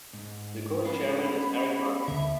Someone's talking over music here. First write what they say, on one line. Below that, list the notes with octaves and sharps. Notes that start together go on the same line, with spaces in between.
The current chairman is Eric Ruch.
G#2
B3 C#4 F5 B5
D#2 D3 E5